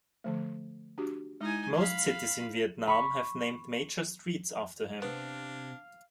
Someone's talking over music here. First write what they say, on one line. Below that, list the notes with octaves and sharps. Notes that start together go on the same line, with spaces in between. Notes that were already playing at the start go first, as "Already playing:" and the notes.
Most cities in Vietnam have named major streets after him.
D3 F3 A3
D4 F#4 G4
G#3 D#4 E4 G#5
F5 B5
B5 C#6
C3 B3 C4 D4 F5